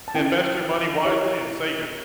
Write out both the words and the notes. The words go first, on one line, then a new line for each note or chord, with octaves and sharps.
invest your money wisely and save it.
A5
C#4 E4 B4 G5
E4 G4 C#5